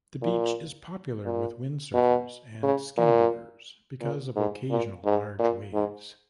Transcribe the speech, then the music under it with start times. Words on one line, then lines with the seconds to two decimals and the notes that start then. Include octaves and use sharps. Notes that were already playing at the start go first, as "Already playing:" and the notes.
The beach is popular with windsurfers and skimboarders because of occasional large waves.
0.22 A#2
1.25 A#2
1.94 B2
2.63 C#3
2.97 A#2
4.01 A#2
4.36 G#2
4.70 A#2
5.05 G#2
5.39 A#2
5.73 G#2